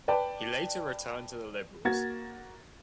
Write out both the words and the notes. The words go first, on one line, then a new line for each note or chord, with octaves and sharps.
He later returned to the Liberals.
B4 D5 G5 A5
A#3 F#4 G#6 A6